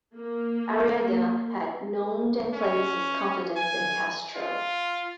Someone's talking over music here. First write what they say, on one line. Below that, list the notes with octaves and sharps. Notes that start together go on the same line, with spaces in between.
Arriaga had known and placed his confidence in Castro.
A#3
C#4
G#5
F4